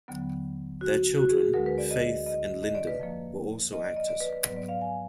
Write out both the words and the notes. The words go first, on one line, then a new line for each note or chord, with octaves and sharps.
Their children, Faith and Lyndon, were also actors.
D#2 D3 F#3 B3
F#4
F#4
G#4
G#4
D2 D3 G#3 A#4
B4
D5
D#5
D#5
D#5
D5
B4
F2 F3 A#3
D#5
D5
D#5
D5
B4
B4
G#2 F#3 B3 B4
D5
F5
G#5